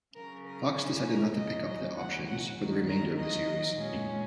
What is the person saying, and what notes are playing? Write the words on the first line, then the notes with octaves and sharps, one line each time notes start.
Fox decided not to pick up the options for the remainder of the series.
C#3 F#3 C#4 A#4
A#4
G#4
A#4
D#2 C#3 F#3 C#4 D#5
D#5
F#5
F#5
D#2 D#3 F#3
A#4
D#5
A#2 G#3 C#4